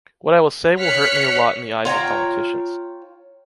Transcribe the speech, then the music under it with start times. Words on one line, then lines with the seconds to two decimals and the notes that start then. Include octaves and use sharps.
What I will say will hurt me a lot in the eyes of politicians.
0.79 C#5 F6 F#6 B6 C#7
1.85 F4 C#5 G5 A#5